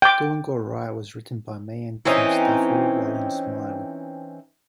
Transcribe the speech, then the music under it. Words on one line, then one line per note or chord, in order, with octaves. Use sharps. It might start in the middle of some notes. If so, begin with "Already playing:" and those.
"Doing All Right" was written by May and Tim Staffell while in Smile.
G5 D6
E3 C4 C#4 D#4